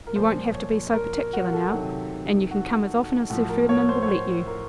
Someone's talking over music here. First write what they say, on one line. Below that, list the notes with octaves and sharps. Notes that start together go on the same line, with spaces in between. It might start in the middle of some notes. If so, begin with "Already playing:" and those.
'You won't have to be so particular now, and you can come as often as Sir Ferdinand will let you.
A#4
A#2 F3 C5
C#5
A#4
A#4
F#4
A4
C3 D#3 F#3
F#4
A2 F3 F#4
A#4
C#5
C5
C#5
C5
A#4